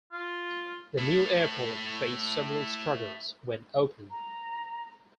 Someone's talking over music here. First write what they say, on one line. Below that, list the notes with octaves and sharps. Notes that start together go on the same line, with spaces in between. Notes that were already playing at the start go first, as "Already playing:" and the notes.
The new airport faced several struggles when opened.
F4
A3 E4
A#5